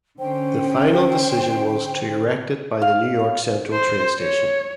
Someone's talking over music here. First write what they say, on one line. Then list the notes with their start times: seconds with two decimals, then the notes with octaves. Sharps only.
The final decision was to erect it by the New York Central train station.
0.19 D3 C#4 C5 G5
2.82 F5
3.72 C5
4.20 C#5